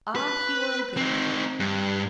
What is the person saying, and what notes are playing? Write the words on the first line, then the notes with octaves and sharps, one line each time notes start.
Ah; he were a good dog.
B4
C4 D#4
G2